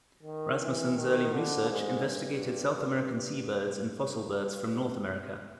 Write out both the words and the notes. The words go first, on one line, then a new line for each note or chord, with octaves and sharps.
Rasmussen's early research investigated South American seabirds and fossil birds from North America.
D#3
E3
D#3
D3
G#2
G2
G2